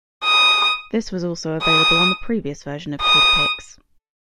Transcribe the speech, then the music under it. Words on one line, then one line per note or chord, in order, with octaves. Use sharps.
This was also available on the previous version of Kid Pix.
D#6
D#6
D#6